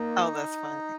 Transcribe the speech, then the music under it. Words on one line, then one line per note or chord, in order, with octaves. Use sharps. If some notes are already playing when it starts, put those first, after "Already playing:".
Oh, that's funny.
Already playing: A#3 D#4